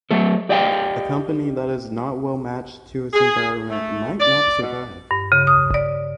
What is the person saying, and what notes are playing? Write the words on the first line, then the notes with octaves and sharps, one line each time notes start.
A company that is not well matched to its environment might not survive.
F#3 A3 A4
G4 D5 D#5 F5 G5
G#4
A3
D5
B2
G2
C#3
D#6
D5